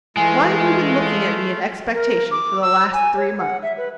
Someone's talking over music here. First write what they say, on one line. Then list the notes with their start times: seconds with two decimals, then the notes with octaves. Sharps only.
Why have you been looking at me in expectation for the last three months?
0.17 E3 G#3 A3 F4 F5 G#5
1.94 A#4
2.31 D6
2.62 E6
2.93 G#5
3.16 C#5
3.38 F#5
3.62 E5
3.77 B4